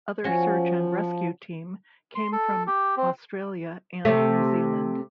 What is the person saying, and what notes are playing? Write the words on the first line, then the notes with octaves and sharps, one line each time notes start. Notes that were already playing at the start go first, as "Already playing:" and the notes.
Other search and rescue team came from Australia and New Zealand.
F3 C#4 F#4
C6
A4
G4
C4
C3 A3